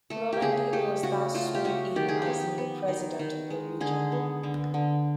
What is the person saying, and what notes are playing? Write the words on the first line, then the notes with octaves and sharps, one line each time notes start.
Rollandin was thus sworn in as new President of the Region.
A3 A4
G4
C#3 G#4
A3 G4
C#3 F#4
A3 F4
G4
C#3 F#4
D#3 G4
G#4
B3 G4
B3
D#3
D#3
G#3
D3 G#4
B3
D3
D3